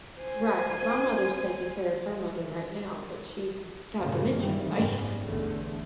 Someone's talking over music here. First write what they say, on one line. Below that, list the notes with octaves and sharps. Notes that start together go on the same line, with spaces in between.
Right. My mother's taking care of her mother right now, but she's got dementia, like
C5 G#5
G1 A#2 C#3 G#3 A#3
G2 C3 D#3 E3 G3
F#1 G#2 G3 B3 C#4
A1 E2 D3 A3